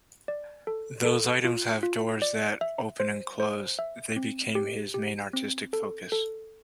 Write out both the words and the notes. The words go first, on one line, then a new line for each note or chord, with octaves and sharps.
These items have doors that open and close; they became his main artistic focus.
D5
A4
A4
F4
F4
D5
E5
C5
C5
E5
C4
G4
G4
C4
A4
A4